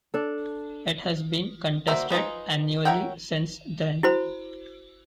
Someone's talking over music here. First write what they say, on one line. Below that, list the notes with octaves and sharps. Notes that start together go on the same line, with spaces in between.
It has been contested annually since then.
D4 A4
G3 A#3 F#4 C5 E5
D#4 F4 G#4 B4
A#4 C#5 E5 F#5 G5
E4 F#4 C5 B5